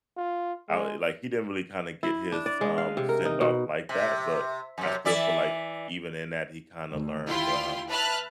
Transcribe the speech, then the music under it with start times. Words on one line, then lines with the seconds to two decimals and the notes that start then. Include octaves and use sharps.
I like, he didn't really kinda get his, um, send off like that, but I still feel like even in that he kinda learned, um,
0.17 F4
0.69 G#3
2.03 E4
2.32 D4
2.46 D5
2.61 G#3
2.78 F5
2.97 C3
3.09 A#4
3.25 D#4
3.41 B2
3.89 C3
4.78 F#2 C3
5.05 E3 D5 E5
6.90 D2
7.26 D#2 E4 F4 G5 C6
7.89 B4 E5 A5 F6 F#6